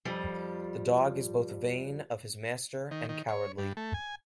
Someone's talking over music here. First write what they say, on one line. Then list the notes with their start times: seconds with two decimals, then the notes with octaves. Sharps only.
The dog is both vain of his master and cowardly.
0.05 F2 F3 G3
2.91 D#3
3.09 D#3
3.28 C#5
3.58 G2
3.77 A3
3.94 G#5